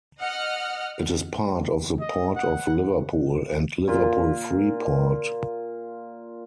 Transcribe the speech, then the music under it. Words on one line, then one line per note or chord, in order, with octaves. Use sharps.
It is part of the Port of Liverpool and Liverpool Freeport.
D#5 F#5 F6
D#5
F#5
A#2 F4